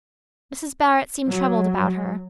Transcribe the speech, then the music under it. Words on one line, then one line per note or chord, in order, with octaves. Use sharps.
Mrs. Barrett seemed troubled about her.
F#3